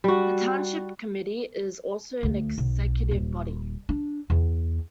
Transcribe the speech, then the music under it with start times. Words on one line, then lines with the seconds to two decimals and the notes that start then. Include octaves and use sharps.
The Township Committee is also an executive body.
0.04 G3 F#4
2.23 D2
2.58 B1
3.11 D#1
3.89 D4
4.30 E2